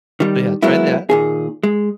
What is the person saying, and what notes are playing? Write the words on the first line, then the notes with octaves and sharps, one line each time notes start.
So yeah, try that.
D#3 G3
F#3 G#3 A#3 B3 E4
A#2 D#3 G#4
G#3